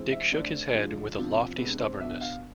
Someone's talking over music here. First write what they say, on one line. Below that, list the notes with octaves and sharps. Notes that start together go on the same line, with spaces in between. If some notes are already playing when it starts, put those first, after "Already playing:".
Dick shook his head with a lofty stubbornness.
Already playing: E3 G#3 C4
E5
D3 A3 C4 D5
D3 F3 G#3
C3 F3 B3 D4
C3 G#3 B3 D4 B4
C5
B2 B3 D4 E5
F5